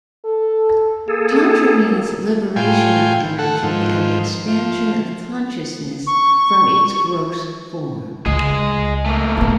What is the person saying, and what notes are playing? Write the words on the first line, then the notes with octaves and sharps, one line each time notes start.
Tantra means liberation of energy and expansion of consciousness from its gross form.
A4
A#3 G#4 A4
A2 F4 G5 G#5
A4 F#5
G#2 F3
F3
C#6
C#2 G#4 D#5
A3 A#3
G3 B3